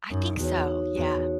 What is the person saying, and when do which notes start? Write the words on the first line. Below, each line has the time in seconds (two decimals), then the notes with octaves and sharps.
I think so, yeah.
0.11 F#2 D#4
0.39 E2 F#4 C#5
0.68 D#4
0.96 E2 F#4 C#5